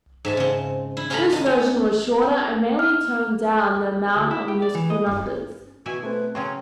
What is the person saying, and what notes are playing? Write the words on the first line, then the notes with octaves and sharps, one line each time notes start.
This version was shorter, and mainly toned down the amount of musical numbers.
G#2 E5 A5
C#3 C4
E4
C#4 F4 G4 A4 A#5 B5
D#4
C#4
F6
D2
E4
G4
D5
E3
D#5
G2
B2 E4 F#4 G#5
A3 C4 B4
C#3 F#3 C#4 G5 C6